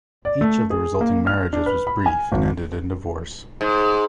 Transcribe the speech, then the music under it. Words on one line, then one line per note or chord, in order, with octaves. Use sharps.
Each of the resulting marriages was brief and ended in divorce.
D5
A3
G#4
A#3
F6
D4
B4
B5
G#5
G#1
G#2